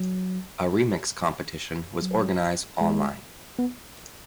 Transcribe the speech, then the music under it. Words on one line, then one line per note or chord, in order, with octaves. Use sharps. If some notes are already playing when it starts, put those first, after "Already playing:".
A remix competition was organized online.
Already playing: F#3
F#3
G#3
B3